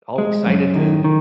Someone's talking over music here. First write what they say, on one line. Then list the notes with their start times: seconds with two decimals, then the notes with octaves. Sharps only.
all excited to
0.18 G#3
0.47 F#2
0.75 D#3
1.04 D#3